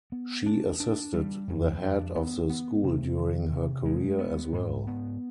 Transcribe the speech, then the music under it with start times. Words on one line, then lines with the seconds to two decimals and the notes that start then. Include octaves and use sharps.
She assisted the head of the school during her career as well.
0.12 B3
0.46 D4
0.80 D4
1.14 G3
1.48 F2
1.82 D4
2.16 B3
2.50 B3
2.83 C3
3.17 D#3
3.52 C3
3.85 G#3
4.19 B3
4.53 G#2
4.87 B3